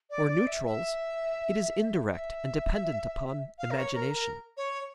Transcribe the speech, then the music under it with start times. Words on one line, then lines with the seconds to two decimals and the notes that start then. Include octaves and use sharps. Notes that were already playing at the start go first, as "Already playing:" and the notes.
For neutrals, it is indirect and dependent upon imagination.
0.10 D5
0.28 D5
0.47 E5
0.65 E5
2.11 E5
3.58 F5
3.71 A#4
3.77 C#5
3.95 A#4
4.14 A#4
4.57 C#5